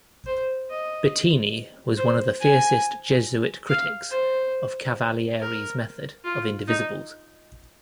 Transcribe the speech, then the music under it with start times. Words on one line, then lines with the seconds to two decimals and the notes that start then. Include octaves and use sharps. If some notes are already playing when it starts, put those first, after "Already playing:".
Bettini was one of the fiercest Jesuit critics of Cavalieri's method of Indivisibles.
0.26 C5
0.69 D#5
1.97 C5
2.40 G#5
3.69 F5
4.10 C5
5.39 A#4
6.24 F4
6.68 D#4